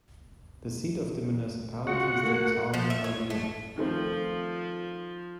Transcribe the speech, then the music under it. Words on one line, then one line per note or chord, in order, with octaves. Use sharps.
The seat of the municipality is the town Memaliaj.
G#3 F4 F#4 F#5
A3 A#3 F#4 A4
F3
E5
C#5
A3
D#3 F3 A3 C4